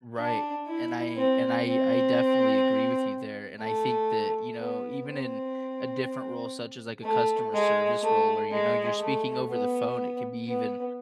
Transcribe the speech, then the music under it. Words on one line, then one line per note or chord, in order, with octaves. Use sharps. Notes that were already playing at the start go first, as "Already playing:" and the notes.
Right. And I and I I definitely agree with you there, and I think that, you know, even in a different role such as, like, a customer service role where, you know, you're speaking over the phone, it could be even,
D4
E4
C4
C4
A3
B3
C4
A3
G#3
A3
G#3
A3
B3
B3